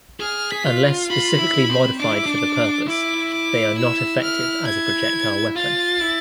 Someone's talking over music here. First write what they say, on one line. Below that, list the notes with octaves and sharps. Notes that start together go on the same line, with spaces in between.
Unless specifically modified for the purpose, they are not effective as a projectile weapon.
G#4 F6
G#4 B6
F4
F4 B5
E4
C4
D4 D6
E4
D4
E4 D6
D6
E6
F6
G#6
F4 A6
E4